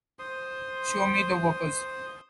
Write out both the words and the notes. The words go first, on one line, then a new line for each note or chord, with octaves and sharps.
Show me the workers.
C5 C6 D#6